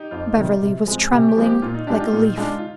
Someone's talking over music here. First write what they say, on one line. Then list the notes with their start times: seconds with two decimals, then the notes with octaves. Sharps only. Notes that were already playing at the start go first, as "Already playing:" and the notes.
Beverly was trembling like a leaf.
Already playing: D#4 G4
0.11 F2 F4
0.37 C3 D#3 G3 C4
0.62 C3
0.87 F3 G#3 C4
1.03 G#4
1.12 C3 G4
1.29 G4
1.37 F3 G#3 C4
1.46 G4
1.62 A#2 F4
1.74 D#4
1.87 G#3 D4 G4
2.00 F4
2.12 A#2 D#4
2.37 G#3 D4 F4
2.58 F4